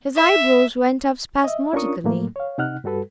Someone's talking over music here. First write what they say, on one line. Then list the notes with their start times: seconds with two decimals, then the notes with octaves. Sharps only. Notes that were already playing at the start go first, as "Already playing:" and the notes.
His eyebrows went up spasmodically.
0.15 E5
1.44 D#5 E5
1.73 C#4 D4 F4 A#4 C#6 D#6
2.04 A2 F#3 A3 A#3
2.36 C#5 F5
2.58 C3 D#4 F#5 F6 F#6
2.84 G2 G3 F#4 A4 B4